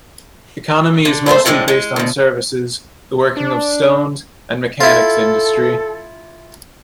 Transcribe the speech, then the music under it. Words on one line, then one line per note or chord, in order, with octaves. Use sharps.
Economy is mostly based on services, the working of stones, and mechanics industry.
D3
F2 G#2 A3 C5
D2 A2 D3 G#3 C4
G#3
D2 B2
D4
E4 F4 A4